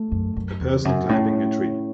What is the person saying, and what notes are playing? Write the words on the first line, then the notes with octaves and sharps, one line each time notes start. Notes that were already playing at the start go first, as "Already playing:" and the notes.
A person climbing a tree.
Already playing: A3
F#2
F#2
E2
F#2
A2 C#4